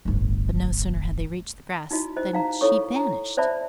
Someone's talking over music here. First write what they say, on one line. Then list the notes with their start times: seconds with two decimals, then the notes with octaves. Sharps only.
But no sooner had they reached the grass than she vanished.
0.05 D1 G1
1.91 D#4 E4 F#4 D#5
2.16 E4 C5 D#5
2.33 D#4 F5 A#5
2.61 E4 A4 C#5 C#6
2.96 A#5
3.37 C5 D5 E5 A5 B5